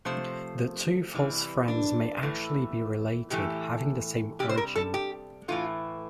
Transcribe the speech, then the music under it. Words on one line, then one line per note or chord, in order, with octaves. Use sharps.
The two "false friends" may actually be related, having the same origin.
C3 F3 A3 C5
C3 E3 G3
D4
A2 E3 A3
A2 E3 A3 G4
C3 G3 G4
C5
A#4
A4
G4
A2 E3 A3 F4